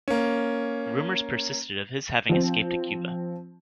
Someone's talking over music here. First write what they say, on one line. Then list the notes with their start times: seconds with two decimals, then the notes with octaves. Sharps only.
Rumors persisted of his having escaped to Cuba.
0.08 A#3 C#4
2.29 F3 C4